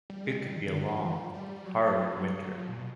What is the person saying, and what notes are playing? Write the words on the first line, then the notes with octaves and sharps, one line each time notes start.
It could be a long, hard winter.
G3
G#3
G3
D#3
D3
F3
E3
F3
G3
G3
F#3
F#3
F#3
F3
A#2
B2